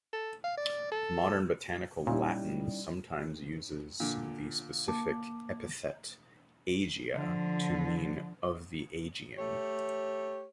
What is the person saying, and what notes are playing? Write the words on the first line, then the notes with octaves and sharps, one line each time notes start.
Modern botanical Latin sometimes uses the specific epithet "aegea" to mean "of the Aegean".
A4
F5
D5
A4
A#2 G3 C#4 D#4 E4
A#2 D3
A#3 A5 D6
D3 F3
A3 G4 C#5